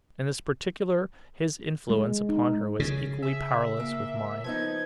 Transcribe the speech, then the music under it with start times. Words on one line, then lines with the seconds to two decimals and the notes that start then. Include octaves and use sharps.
In this particular, his influence upon her was equally powerless with mine.
1.90 G#3
2.29 D#4
2.80 C#3
3.22 G#4 E5
3.77 A#2 A#3
4.44 F3 B3 D#4 G#6